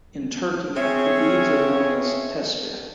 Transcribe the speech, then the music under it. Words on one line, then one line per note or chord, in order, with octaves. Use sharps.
In Turkey, the beads are known as "tespih".
C4 C#4 G#4 C#5 E5